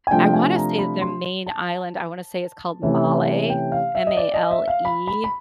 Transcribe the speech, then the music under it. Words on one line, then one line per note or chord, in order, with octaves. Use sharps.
I wanna say their main island, I wanna say is called Malé, M-A-L-E,
G#5
C3 F3 A3 D4 G5
G#5
A#5
B5
C6
A5
C3 E3 A3 C#4
G5
F5
E5
D#5
D5
D#5
E5
F5
B5
B5
B5